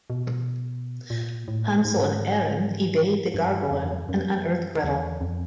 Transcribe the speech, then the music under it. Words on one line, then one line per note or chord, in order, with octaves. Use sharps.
Hansel and Ehren evade the gargoyle and unearth Gretl.
B2
A#2
A2
G#2
G2
F2
F#2
E2
F2